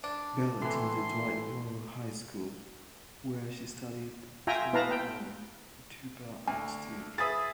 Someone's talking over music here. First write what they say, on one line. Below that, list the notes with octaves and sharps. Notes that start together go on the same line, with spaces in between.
Belle attended Dwight Morrow High School where she studied trombone, tuba and steel drums.
D4 A5
A2 E3 C6
F4 E5 G5 G#5 A#5
B3 E4 B4 F5 A5 A#5
G5
D2 A5
G#4 B4 E5 D#6 A6